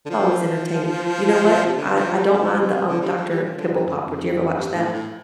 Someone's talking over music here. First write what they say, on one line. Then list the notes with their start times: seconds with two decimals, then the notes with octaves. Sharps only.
always entertaining. You know what? I I don't mind the, um, Dr. Pimple Popper, do you ever watch that?
0.05 D3
0.10 F3
1.66 C3
1.76 D3
1.95 F3
2.13 G3
2.32 F3
2.60 C3
2.87 D3
3.01 G3
3.15 F3
3.30 G3
3.44 F3
3.57 D3
3.72 G2
3.85 F2
4.04 F2
4.54 G2
4.74 A2
4.92 A2